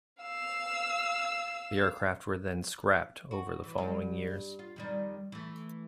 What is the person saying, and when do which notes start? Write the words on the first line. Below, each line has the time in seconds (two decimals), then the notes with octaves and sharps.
The aircraft were then scrapped over the following years.
0.21 F5 E6
3.31 F#4
3.64 E3
3.78 G2
4.59 F4
4.76 F2 D#3 G3
5.32 E3 A3